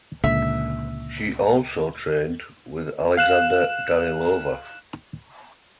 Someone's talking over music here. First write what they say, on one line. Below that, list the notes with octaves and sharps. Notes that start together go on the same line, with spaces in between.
She also trained with Alexandra Danilova.
C#2 A#2 D3 E5
F5 F#6 E7